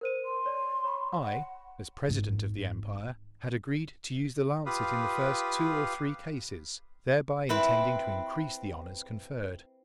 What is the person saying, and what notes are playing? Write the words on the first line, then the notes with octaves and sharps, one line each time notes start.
I, as president of the empire, had agreed to use the lancet in the first two or three cases, thereby intending to increase the honours conferred.
A#4 C5 D#7
C6
C#5 D5
C#5 B5 C#6
F#5
G#1
F4 G4 B4 F5 B5 D#6
C4 E4 B4